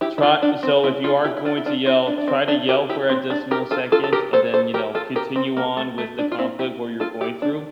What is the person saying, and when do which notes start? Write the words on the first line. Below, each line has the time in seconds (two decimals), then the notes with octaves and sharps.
try so, if you are going to yell, try to yell for a decimal second and then, you know, continue on with the conflict where you're going through
0.01 E4 G4
0.18 E4
0.22 D4 F4
0.42 D4
0.63 C4
0.84 C4 E4
1.04 D4 F4
1.25 E4 G4
1.37 E4
1.45 D4 F4
1.57 E4
1.66 D4 F4
1.86 C4 E4
2.07 D4
2.18 D4
2.28 C4
2.48 D4
2.69 G4 A#4
2.89 E4 G4
3.10 C4
3.30 D4
3.51 G4 A#4
3.71 F4 A4
3.92 F4 A4
4.04 A4
4.13 G4 A#4
4.33 A4 C5
4.54 A4 C5
4.74 G4 A#4
4.95 F4 A4
5.16 G4 A#4
5.36 C4
5.57 A#3
5.77 A3
5.98 A3
6.18 D4
6.32 F4
6.39 C4 E4
6.59 E4 G4
7.00 F4 A4
7.21 E4 G4
7.42 D4